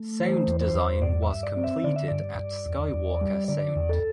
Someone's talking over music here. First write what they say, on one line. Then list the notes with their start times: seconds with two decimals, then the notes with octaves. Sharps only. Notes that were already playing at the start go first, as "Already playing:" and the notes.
Sound design was completed at Skywalker Sound.
Already playing: A3
0.20 E3 C5
0.47 E2
0.61 C5
0.74 E2
1.02 G2 D5
1.22 E5
1.29 G2
1.43 D5
1.57 C4
1.63 E5
1.84 D3 D5
1.96 E5
2.08 G2 D5
2.39 G2
2.66 E2
2.94 E2
3.21 G3
3.48 D3 D5
3.76 E2
3.89 A4